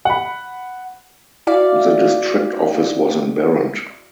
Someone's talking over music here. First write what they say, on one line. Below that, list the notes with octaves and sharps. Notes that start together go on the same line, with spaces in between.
The district office was in Berent.
F#5 B5
E4 F#4 D5 F5